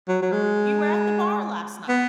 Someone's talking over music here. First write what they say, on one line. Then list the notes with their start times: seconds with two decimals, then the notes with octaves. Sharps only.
"You were at the bar last night.
0.08 F#3
0.22 F#3
0.32 G#3
1.89 B3